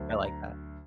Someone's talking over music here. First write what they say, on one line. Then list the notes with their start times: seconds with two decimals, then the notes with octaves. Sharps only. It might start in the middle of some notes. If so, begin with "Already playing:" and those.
I like that.
Already playing: D2 D3 F#3
0.09 D5
0.25 A#5